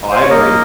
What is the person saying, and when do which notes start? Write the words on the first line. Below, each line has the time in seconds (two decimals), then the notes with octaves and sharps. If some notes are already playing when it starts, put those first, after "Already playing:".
Oh, I agree.
0.11 C5
0.21 C#5
0.30 A#3 D#5